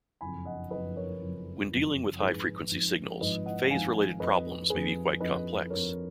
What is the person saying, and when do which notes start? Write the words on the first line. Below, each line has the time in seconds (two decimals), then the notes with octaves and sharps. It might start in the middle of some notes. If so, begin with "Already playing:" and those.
When dealing with high frequency signals, phase-related problems may be quite complex.
0.21 F#1 F2 F3 G#5 B5
0.45 D#5 F#5
0.70 F#1 F2 F3 B4 D#5
0.96 A#4 C#5
1.21 F#1 F2 F3
1.71 F#1 F2 F3
2.20 G#1 G#2 F3 G#4 B4
2.71 G#1 G#2 F3
3.20 G#1 G#2 F3 B4 D#5
3.46 D#5 F#5
3.70 G#1 G#2 F3 F5 G#5
4.20 F2 F3 B4 D#5
4.70 F2 F3 G#4 B4
5.21 F2 F3 B4 D#5
5.70 F2 F3 A#4 C#5